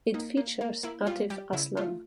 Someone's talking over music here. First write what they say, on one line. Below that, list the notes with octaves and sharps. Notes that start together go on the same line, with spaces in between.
It features Atif Aslam.
A#3 D#4
A#3
A#3
A#3 E4
G3 F4
G3 G4
C#3 E4
A3 F4